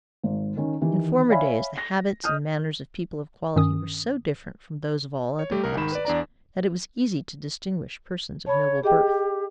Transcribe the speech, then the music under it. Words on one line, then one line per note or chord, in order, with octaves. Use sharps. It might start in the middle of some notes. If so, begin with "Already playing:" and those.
In former days the habits and manners of people of quality were so different from those of all other classes that it was easy to distinguish persons of noble birth.
G#1
D#3 C#4
D#3 E3 G4
C#5 D5 E5 F5 G#5 B5
A#6
D#5 D#6 F6 G6
G2 D#3 C#4 D#6
C#5
G3 A3 G4
C2 A#4
G#2 D#3 B5 E7
B4 D5
E2 D4 D5 A#5
C#5 A5 B5
G4 G#4 D#5 G5